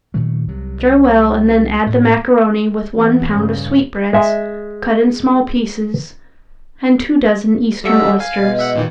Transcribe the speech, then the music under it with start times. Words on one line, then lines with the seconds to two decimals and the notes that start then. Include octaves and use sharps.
Stir well and then add the macaroni with one pound of sweetbreads, cut in small pieces and two dozen Eastern oysters.
0.14 A#2 D#3 F#3 A3
0.48 C2 C3 F#3
1.87 A2
2.94 E3 B3
3.30 G2 C#3
4.13 G#3 E5
7.84 G3 G#3 F#4 A4 E5
8.20 F5 G#5
8.36 B2 G#3
8.59 E5 F#5 F#6
8.75 A#2 D#3 E3